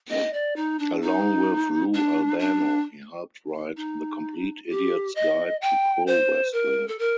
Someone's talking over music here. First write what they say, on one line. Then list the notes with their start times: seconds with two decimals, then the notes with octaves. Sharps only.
Along with Lou Albano, he helped write The Complete Idiot's Guide to Pro Wrestling.
0.10 D#5
0.33 D5
0.56 D#4
0.79 D4
1.02 D#4
1.94 D4
2.39 D4
3.77 D#4
4.69 G4
5.15 D#5
5.61 G5
6.07 C5
6.53 A#4
6.88 A4
6.99 A#4